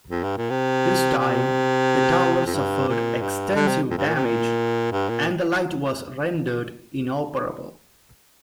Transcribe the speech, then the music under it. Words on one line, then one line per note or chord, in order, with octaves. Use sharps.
This time, the tower suffered extensive damage, and the light was rendered inoperable.
F2
G2
A#2
C3
C3
F2
G2
A#2
G2
D3
C3
F2
G2
A#2
C3
A#2
G2
A#2